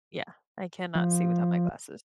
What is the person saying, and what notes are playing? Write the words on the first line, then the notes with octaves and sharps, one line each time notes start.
yeah. I cannot see without my glasses.
F3